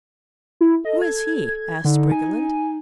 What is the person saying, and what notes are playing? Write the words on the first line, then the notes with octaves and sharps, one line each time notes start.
"Who is he?" asked Briggerland.
E4
A4 D#5
G#6
D3 D#4
G#5